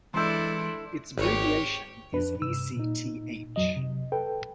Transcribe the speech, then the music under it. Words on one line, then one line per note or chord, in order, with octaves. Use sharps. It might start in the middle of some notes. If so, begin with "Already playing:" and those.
Its abbreviation is Ecth.
E3 G#3 D4 E4 A4 C6 E6 G6
G#1 G4 C#5
F2 D4 B4
G2 C3 E6
A#2 D#4
F2 F#3 D#5
C3
A4 B4 G5